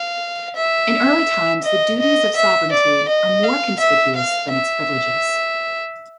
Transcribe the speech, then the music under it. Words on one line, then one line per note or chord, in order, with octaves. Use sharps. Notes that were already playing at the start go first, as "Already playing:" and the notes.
In early times the duties of sovereignty are more conspicuous than its privileges.
Already playing: F5
E5
D#5
D#5
E5
D5
D#5
F5
E5
F5
E5